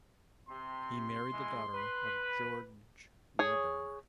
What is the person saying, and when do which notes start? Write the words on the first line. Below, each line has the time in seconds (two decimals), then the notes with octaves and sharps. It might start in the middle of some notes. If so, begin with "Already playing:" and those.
He married the daughter of Georg Weber.
0.48 C3 C6
1.31 E3 G#3
1.74 B4
3.39 G#4 C#5